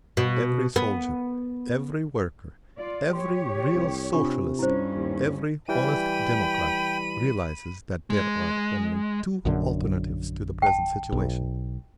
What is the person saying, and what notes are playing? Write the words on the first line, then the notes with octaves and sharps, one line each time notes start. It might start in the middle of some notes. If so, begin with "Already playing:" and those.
Every soldier, every worker, every real Socialist, every honest democrat realises that there are only two alternatives to the present situation.
B2
B3
F4 D5
G4 C#5 C6
C2
C3 D4 F4 C#6
G2 C#4 E4 C5
D#2
E3 G3 G5 B5 D#7
G#3
A#1 F#2 D3
G5 A5
B1